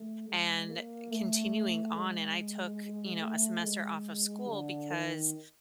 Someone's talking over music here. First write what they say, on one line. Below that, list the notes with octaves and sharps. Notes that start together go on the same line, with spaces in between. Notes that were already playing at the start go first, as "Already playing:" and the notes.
and continuing on, and I took, you know, a semester off of school because
Already playing: A3
G#3
A#3
A3
G#3
A3
G#3
D3
D#3